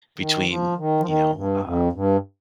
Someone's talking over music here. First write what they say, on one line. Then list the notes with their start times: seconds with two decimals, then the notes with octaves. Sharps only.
between, you know, um,
0.18 D#3
0.48 F3
0.77 D#3
1.00 F3
1.05 D#3
1.34 G2
1.63 F2
1.93 G2